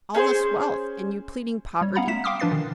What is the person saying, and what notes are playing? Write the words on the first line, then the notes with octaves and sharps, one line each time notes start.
"All this wealth, and you pleading poverty?"
C#4 G#4 A4 C5
G3 C#5
B3 C#4 F5 F#5 A#5 B5
A3 F#5 B6 E7
F5 G5 C6 D6 D#6 F6
F3 D4 B4 A6 C7
B2 D#3 E3